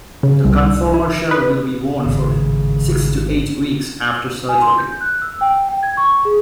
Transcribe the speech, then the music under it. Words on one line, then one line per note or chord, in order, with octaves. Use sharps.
The conformer shell will be worn for six to eight weeks after surgery.
C#3
C2
E4
B4
G#1 A2 C#3
G#5
C6
G6
F#6
E6
G5
G5
G#6
C#6
G#4